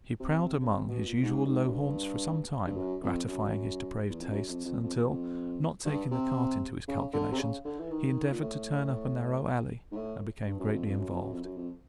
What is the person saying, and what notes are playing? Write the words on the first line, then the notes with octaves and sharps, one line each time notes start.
He prowled among his usual low haunts for some time, gratifying his depraved tastes, until, not taking the cart into his calculations, he endeavoured to turn up a narrow alley, and became greatly involved.
C3
C#3
C3
B2
A#2
G#2
G2
G#2
F#2
G2
G2
F#2
F2
F#2
E2
F2
F#2
F2
F2
F2
E2
F2
G2
C3
C#3
D3
C3
C#3
D3
E3
D#3
A#2
A2
G#2
A2
G2
F#2
F2
F2
F#2
F2
F#2
F2
F#2
F2